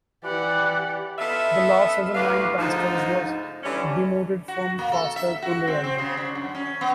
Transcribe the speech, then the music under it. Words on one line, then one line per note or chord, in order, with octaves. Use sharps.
The last of the nine pastors was demoted from pastor to lay elder.
E3 G4 D5 F#5 F#6
B3 F4 A4 D#5 E5
D2 A2 F#4 G4 B4 F5
D2 G#2 F3 D#4
D3 E3 G3 C#4
F#4
A#3
A4
E5
F#4
C4
C4
C#3
D4
F#2
C#4
B3